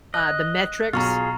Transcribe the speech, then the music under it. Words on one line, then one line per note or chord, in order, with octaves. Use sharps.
uh, the metrics
D#5 F#6
B1 F4 G#4 A#5 C#6 F6